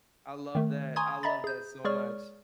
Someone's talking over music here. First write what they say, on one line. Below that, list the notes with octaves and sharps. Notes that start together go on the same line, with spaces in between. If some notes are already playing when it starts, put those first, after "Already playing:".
I love that I love that so much.
D#3 A3
G#5 A#5 C6 C#6 D#6 G#6
D#5 E5 A#5 B5 A6
G#4 G6
G#3 G#4 C#5 D5 C#6 F6